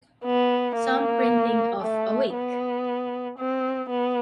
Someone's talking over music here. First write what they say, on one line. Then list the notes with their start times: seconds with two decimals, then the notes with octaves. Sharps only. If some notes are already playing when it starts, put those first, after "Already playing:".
Some printing of Awake!
0.25 B3
0.76 A#3
1.81 A3
2.33 B3
3.39 C4
3.90 B3